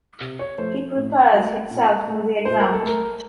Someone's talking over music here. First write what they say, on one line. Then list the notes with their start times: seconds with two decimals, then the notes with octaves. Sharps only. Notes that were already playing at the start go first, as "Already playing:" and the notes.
He prepares himself for the exam.
0.21 C3
0.39 C#5
0.58 F3 A3 C5
0.96 A2
1.34 F#3 A3
1.71 A#2
2.08 A3
2.45 A#2 C5
2.60 A#4
2.73 A4
2.83 A3 A#4